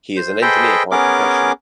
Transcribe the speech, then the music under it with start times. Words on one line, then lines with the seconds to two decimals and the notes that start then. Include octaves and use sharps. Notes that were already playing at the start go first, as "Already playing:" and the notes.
He is an engineer by profession.
0.17 C5
0.42 G#4 A4 B4 C5 D#5 G5
0.91 B3 C#4 G#4 A#4 D6